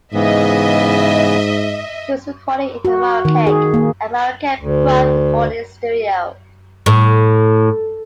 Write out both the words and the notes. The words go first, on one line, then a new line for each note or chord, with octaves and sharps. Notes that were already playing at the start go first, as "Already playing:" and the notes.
He was recording in Marrakech at Marrakech Prod Recording Studio.
G#2 C#3 E3 B3 D#5 E5
F#4
D#3
G#4
A#3
D2
A2